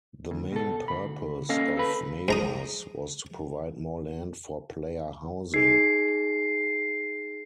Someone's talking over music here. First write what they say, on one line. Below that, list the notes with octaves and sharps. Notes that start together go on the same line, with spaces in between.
The main purpose of Malas was to provide more land for player housing.
D2
B2 A4
D2 B5
A#3 C#4 A4 D#5 F5
A4 B4 B5
G#2 A#5 D#6
D#4 G#4 C7